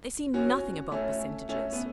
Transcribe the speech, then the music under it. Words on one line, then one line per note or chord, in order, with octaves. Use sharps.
They see nothing above percentages.'
C#4 F#4
A3 C#4
A3 C#4
B3